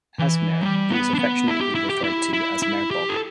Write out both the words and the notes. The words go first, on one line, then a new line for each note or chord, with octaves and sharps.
As mayor, he was affectionately referred to as Mayor Bob.
E3
G3
B3
D4
B3
E4
G4
E4
G4
E4
E4
E4
G4
A4